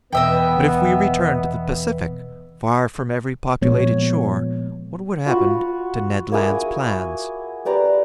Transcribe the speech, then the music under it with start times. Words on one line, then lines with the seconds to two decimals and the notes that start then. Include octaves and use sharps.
But if we returned to the Pacific, far from every populated shore, what would happen to Ned Land's plans?
0.13 E2 B2 B3 D#5 E5 G5
3.62 A#2 F3 G#3 B3 C#5
5.26 F4 F#4 B5
6.32 A#3 E4 G#4
7.65 G4 B4 D5 A#5